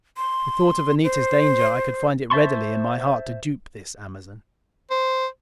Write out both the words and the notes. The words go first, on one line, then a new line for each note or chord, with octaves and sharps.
With thought of Anita's danger I could find it readily in my heart to dupe this Amazon.
C6
C5
C5 E5 A5 C6 C#6
C5